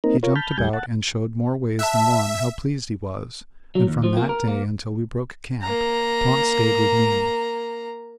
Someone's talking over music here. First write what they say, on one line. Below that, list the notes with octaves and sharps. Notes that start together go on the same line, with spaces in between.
He jumped about and showed more ways than one how pleased he was, and from that day until we broke camp, Pont stayed with me.
A#3 C4 D#4 A#4
F4 A#4 C#5
A5 B5 F6 G6
D#2 G3 G#5 G6
F#5 A5
E5 A5 E6 F#6
F#3
D#2
F3
A#3
A#4
A#3
A#3 A#5